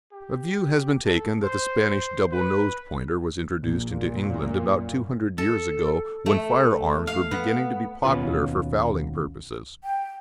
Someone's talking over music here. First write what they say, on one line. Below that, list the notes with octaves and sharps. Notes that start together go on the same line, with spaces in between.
A view has been taken that the Spanish double-nosed Pointer was introduced into England about two hundred years ago, when fire-arms were beginning to be popular for fowling purposes.
G4
A4
C5
C5
B4
A#1 A#2
F#2
A4
A3
F5
B3
D#2 B2 C#4 F4 B4
G5